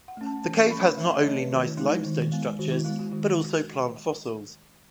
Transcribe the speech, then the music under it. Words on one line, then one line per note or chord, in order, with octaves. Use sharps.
The cave has not only nice limestone structures, but also plant fossils.
F#5
A3 C#4
A5
E3 A5
C#6
A3 C#4 B5
E3 E5
D#5
A3 C#4 C#5
B4
D#3 F#4
E4
G#3 B3 D#4
E4
D#3
G#3 B3
D#3 F#4
E4
G#3 B3 E4
F#4
D#3 F#4